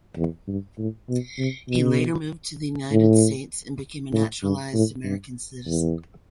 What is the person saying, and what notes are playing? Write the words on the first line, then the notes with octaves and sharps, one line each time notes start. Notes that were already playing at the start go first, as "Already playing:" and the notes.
He later moved to the United States, and became a naturalized American citizen.
E2
G2
A2
B2
C3
B2
A2
A2
G2
A2
G2
E2